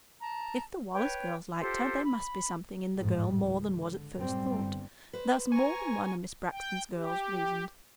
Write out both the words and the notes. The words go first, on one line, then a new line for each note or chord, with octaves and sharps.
If the Wallace girls liked her, there must be something in the girl more than was at first thought--thus more than one of Miss Braxton's girls reasoned.
A5 A#5
B4 C#5 G5
F4 G4 A4 C5
B5
A1 F2 G#2
C#2
D3
F#2 A2 G3 C4
G1
B4 C5
G#5 A#5 C#6
G5
G4